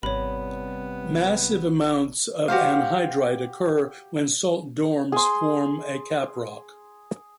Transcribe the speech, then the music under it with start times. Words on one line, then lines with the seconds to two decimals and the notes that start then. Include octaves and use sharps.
Massive amounts of anhydrite occur when salt domes form a caprock.
0.03 G#1 C3 G3 B3 C#5 B5
2.48 F#4 G4 C5 F5
5.12 G#4 C6